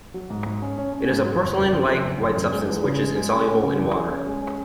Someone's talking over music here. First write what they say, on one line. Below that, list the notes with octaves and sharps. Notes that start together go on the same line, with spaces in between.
It is a porcelain-like white substance which is insoluble in water.
F#3
G#2
G#2
C#4
C#4
C#4
G#2
F#3
F#1
F#1
F#2
C#3
F#2
F#1
F#2
G#3
E2
C#3
G#3
G#3
C#4
C#4
C#3
E2
G#4
C#4
G#3
C#4